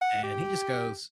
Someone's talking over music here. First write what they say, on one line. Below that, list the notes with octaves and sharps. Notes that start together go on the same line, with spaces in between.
and he just goes,
F#5
G4